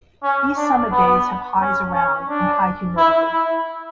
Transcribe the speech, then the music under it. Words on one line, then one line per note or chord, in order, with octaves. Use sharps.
These summer days have highs around and high humidity.
C#4
D4
B3
C#4
C#4
D4
E4
E4